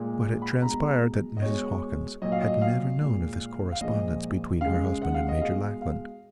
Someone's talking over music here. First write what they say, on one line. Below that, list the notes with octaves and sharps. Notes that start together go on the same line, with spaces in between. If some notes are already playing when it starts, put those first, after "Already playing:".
But it transpired that Mrs. Hawkins had never known of this correspondence between her husband and Major Lackland.
Already playing: A#2 G#3
B5
B2 G#3 A#5
D#5
B2 G#3 C#5
A#2 F#3 D#5
F5
D#5
F5
A#2
G#3
F5
A#2 F3 G#3 D#5
C#3 G#3 F5
F#5
F5
D#5
B2 G#3 F5
F5